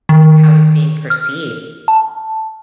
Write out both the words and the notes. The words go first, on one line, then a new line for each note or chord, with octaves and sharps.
How he's being perceived?
D#3
F6
A5